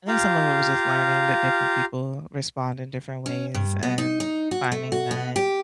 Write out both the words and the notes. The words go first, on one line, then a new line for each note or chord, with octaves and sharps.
I think some of it was just learning that different people respond in different ways and finding that
F4 G4 F5 A#5
C#4
G2
B3
D#4
D#4
F#4
A3
F#4
B3
G4